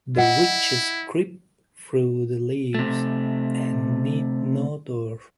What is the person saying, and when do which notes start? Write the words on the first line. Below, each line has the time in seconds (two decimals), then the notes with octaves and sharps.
The witches creep through the leaves and need no door.
0.17 E4 D#5 F#5
2.74 C3 A3